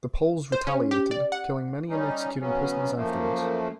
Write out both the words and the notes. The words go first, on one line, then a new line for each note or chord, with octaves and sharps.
The Poles retaliated, killing many and executing prisoners afterwards.
C5
C#4
G4
D5
F#5
G3 C#4 D#4
C#3 F#3 B3 C#4
F#2 F3 A3 A#3